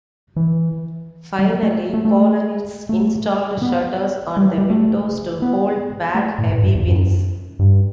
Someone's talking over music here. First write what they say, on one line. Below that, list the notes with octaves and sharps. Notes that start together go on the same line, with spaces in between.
Finally, colonists installed shutters on the windows to hold back heavy winds.
E3
G3
F#3
A3
A3
A3
A3
B3
G3
F#3
G3
A3
B3
A3
A2
A2
G2
E2
F#2
G2